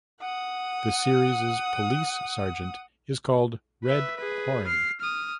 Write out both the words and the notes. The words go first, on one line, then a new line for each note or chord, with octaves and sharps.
The series' police sergeant is called "Red" Hoerring.
F#5 D#6
B4 E5
G#4 B4
F6 C7
D#6 F6